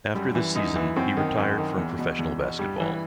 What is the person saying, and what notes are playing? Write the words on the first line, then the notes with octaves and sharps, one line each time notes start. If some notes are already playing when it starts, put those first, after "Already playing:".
After this season, he retired from professional basketball.
F#2 G3
E3
F#2 D#4
E3
F#2 C4
D#3
F#2
D#3
E2
B2
E2
B2
G2 G3
E3